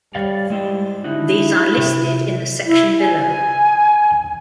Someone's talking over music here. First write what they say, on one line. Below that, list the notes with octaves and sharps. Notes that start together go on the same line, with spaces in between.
These are listed in the section below.
G3 C#5 D5 F5
G3 G#3 E4 C5
D3 D#4 E4 F#4
C3
E4
G#5